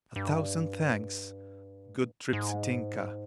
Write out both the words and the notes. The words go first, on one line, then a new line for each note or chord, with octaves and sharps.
"A thousand thanks, good Tripsitinka!"
G2
G#2